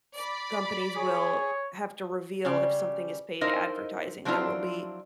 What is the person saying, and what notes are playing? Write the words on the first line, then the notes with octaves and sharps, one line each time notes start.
s companies will have to reveal if something is paid advertising, there will be
D5 B5
G#4 C#5
C#3 G3 G4
D#4 E4 A#4 C5 D#5 F5
F3 F#3 C4 D4 E4 F4